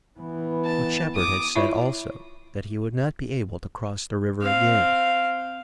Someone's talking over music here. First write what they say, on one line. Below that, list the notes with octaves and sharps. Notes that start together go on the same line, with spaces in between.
But Shepard had said also that he would not be able to cross the river again.
E3 B3
A5
D6 D#6
E4 F4 C#5 E5 B5 C#6
C4 F5